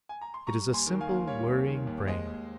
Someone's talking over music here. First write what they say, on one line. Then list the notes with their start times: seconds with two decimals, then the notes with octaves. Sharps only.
It is a simple, worrying brain.
0.09 G#5
0.21 A#5
0.34 C6
0.47 G3 A#5 C#6
0.67 D#2
0.73 G#5 C6
0.86 D#3
1.00 F5 G#5
1.08 D#2
1.27 G3 C#5 F5
1.47 D#2
1.67 D#3
1.87 D#2
2.07 G#3 C5 D#5
2.27 D#2